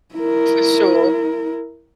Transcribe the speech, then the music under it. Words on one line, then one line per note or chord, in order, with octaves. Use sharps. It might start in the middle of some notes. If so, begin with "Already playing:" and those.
For sure.
E4 A#4